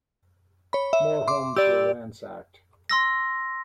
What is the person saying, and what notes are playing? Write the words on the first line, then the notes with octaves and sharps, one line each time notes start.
More homes were ransacked.
C#5 B5
E5
C6 D6
G4 D5 E6
C6 E6 A#6